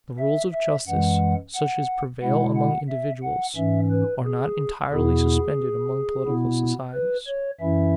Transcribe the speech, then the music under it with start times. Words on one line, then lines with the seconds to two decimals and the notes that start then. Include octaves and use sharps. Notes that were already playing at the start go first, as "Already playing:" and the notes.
The rules of justice, such as prevail among individuals, are not entirely suspended among political societies.
0.19 E5
0.53 E5
0.87 F#2 E3 G#3 F#5
1.54 F#5
2.21 B2 G#3 E4 F#5
2.55 F#5
2.89 E5
3.22 F#5
3.56 G#2 E3 C#4 E5
3.91 B4
4.24 G#4
4.91 E2 B2 B3 E4 G#4
6.25 B2 B3 E4
6.93 B4
7.27 C#5
7.60 F#2 E3 C#4 E4 E5